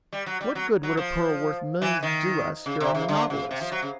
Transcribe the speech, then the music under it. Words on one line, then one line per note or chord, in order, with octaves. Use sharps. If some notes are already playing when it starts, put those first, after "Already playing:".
"What good would a pearl worth millions do us here on the Nautilus?"
G3
F#3
G3
F#3
F#3
F3
E3
D#3
C#3
C3
C#3
D3
C#3
C3
F3
F#3
C#3